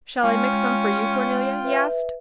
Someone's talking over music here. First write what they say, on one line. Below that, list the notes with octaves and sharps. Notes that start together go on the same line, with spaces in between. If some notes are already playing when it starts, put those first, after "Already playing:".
"Shall I mix some for you, Cornelia?" he asked.
G#3 C#4 F4 G5
B4 E5